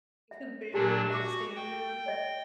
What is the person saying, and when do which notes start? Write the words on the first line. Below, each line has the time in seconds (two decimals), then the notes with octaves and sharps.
you could barely understand her,
0.31 E5
0.74 A#2 F#3 D4 G4 G#5 A5
1.10 F#4 E5 C#6 D6
1.55 G5
2.06 C#5 D#5 E5